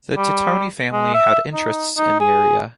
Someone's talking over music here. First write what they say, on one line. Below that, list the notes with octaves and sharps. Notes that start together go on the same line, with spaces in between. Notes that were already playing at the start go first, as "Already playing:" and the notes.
The Tittoni family had interests in the area.
G3
G#3
E5
D#4
D#4
G#4